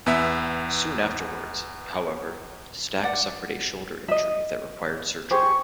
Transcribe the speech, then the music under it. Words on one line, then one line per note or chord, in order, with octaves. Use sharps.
Soon afterwards, however, Stack suffered a shoulder injury that required surgery.
E2 B3 E5
D5 F#5
D#5 E5
G4 G#4 C5 C#6